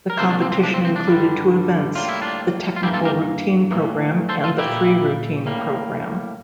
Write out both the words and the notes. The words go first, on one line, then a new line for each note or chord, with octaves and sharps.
The competition included two events, the technical routine program and the free routine program.
A#4
C2 A#2 F3 A#3 A4 C5
D4
C4
C4
D4
C4
C4
D4
G2 D3 G3
A2 G3 A#3 F4
E4
D4 F4
F4
G2 E3 A#3 E4 G4
F4 A4
G4 A#4
A2 E3 A#3
A4 C5
F4 A4
A#2 G3 A#3 E4 G4
A2 G3 A#3